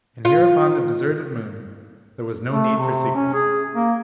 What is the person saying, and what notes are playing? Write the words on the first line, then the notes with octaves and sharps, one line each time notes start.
And here upon the deserted Moon there was no need for secrecy.
F4
A3
C3
C#4
G#4
A#3